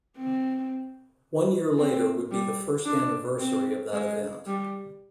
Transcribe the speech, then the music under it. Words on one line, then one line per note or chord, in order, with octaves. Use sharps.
One year later would be the first anniversary of that event.
C4
C4
G3
D4
C4
G#3
G3